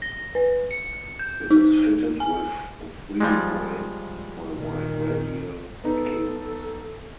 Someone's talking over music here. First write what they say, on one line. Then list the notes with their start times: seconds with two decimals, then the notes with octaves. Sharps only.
It is fitted with three high by wide radial gates.
0.02 A#6
0.35 B4
0.71 C#7
1.19 G6
1.51 D#4
2.20 G#5
3.20 F3 G3 G#3
4.55 A#2 D#3
5.84 B3 D#4 A4